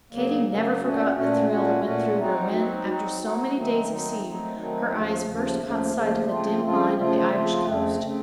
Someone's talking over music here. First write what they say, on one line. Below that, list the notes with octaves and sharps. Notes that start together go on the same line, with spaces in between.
Katy never forgot the thrill that went through her when, after so many days of sea, her eyes first caught sight of the dim line of the Irish coast.
C#3 F#3 A#3
C#3 F#3 A#3
A#2 A3 C#4 F#4
A#2 A3 C#4 F#4
A#2 A3 C#4 F#4
A#2 A3 C#4 F#4
F#3 C4 D#4 F#4
F#3 C4 D#4 F#4
F#3 C4 D#4 F#4
F#3 C4 D#4 F#4
D#3 F#3 A3 C4 D#4
D#3 F#3 A3 C4 D#4
D#3 F#3 A3 C4 D#4
D#3 F#3 A3 C4 D#4
D#2 C#3 F3 A3
D#2 C#3 F3 A3
D#2 C#3 F3 A3
D#2 C#3 F3 A3
C#3 F3 A3 C4 F4
C#3 F3 A3 C4 F4
C#3 F3 A3 C4 F4
C#3 F3 A3 C4 F4
F2 C#3 A3 C4
C#3 A3 C4